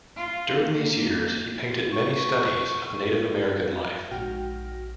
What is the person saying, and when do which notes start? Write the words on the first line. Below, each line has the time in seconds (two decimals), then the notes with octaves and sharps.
During these years, he painted many studies of Native American life.
0.16 F4
0.60 A#3
1.93 C#6
4.11 A#1 G#2 F#4 G5 F6 A#6